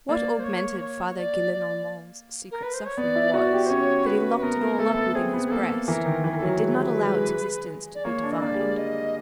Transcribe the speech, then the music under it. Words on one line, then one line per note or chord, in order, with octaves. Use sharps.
What augmented Father Gillenormand's secret suffering was, that he locked it all up within his breast, and did not allow its existence to be divined.
A#3 D5
C5
C#5
C#5
D5
D5
A#4
B4
C5
C#5
B3 D5
E4
F#4 D5
G4
C5
C#4 C#5
B4
B4
B3 A#4
A#3
A3 A4
B3
C4 G#4
B3
G#4
A#3 A4
E3 A#4
D#3
E3 B4
A#4
A4
F#3 A#4
G#3 B4
G3
G#3
G#3
D5
A#3 C#5
D4
D#5
A#3 D5
G3
G#3
D#5